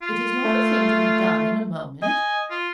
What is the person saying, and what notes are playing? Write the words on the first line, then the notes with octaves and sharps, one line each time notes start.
'It is not a thing to be done in a moment.'
F4
A3
D#5 G#5
F4